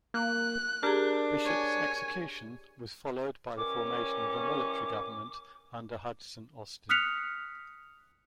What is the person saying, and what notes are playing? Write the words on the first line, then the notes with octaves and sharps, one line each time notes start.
Bishop's execution was followed by the formation of a military government under Hudson Austin.
A#3 F#6
D4 G4 G#4 A#4
C#5 G#5
E3 G3 C#4 A#4 D6
D#6 F6 F#6 B6 C#7 F7